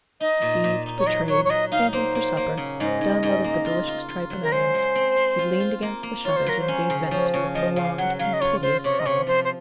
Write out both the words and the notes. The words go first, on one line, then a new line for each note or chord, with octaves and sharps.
Deceived, betrayed, fainting for supper, done out of the delicious tripe and onions, he leaned against the shutters, and gave vent to a prolonged and piteous howl.
D#4 D#5
A#2
A#2
D#4
C#5
F#3 D#5
F#3 C#5
C#5
F#3 D#5
D#4 F5
A#3 C5
A#3
A#3
C#3
G#2 D#5
G#2
G#2
A#3
F4
F4
F4
F#3
A#4
G#3 C5
G#3
C4
C4
F4
F4
A#3
A#3
F4 C#5
C5
F#3 A#4
C5
C#4
C#3
C5
F3 C#5
C#3 C#5
F3 D#5
C#3 F5
F#3 F#5
F#3 F5
D#5
F4 C#5
F4 C5
C3 C#5
D#5
C3 C#5
F3 C5
C5